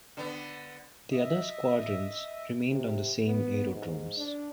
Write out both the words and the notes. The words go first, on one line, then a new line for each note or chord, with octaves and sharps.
The other squadrons remained on the same aerodromes.
D3 B3
D#5 E5
C3
B3
G#2
D4